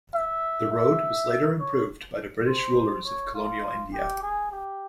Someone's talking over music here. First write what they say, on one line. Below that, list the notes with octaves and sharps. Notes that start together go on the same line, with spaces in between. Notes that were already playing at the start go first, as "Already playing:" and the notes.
The road was later improved by the British rulers of colonial India.
E5
E5
C#5
C5
C#5
F4
G4
G#4
G4